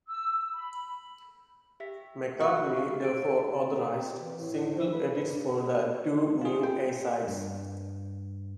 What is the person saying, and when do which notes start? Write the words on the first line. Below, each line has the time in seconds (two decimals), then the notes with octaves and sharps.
McCartney therefore authorised single edits for the two new A-sides.
0.08 E6
0.53 B5
1.80 G4 E5 B6
2.40 F#4
2.77 G#4 F5
3.00 A6 D7
3.92 C4
4.20 E3
4.39 A2
4.75 F3
4.93 B4
5.23 G2
6.41 F4 G#4
6.63 G5
7.28 G2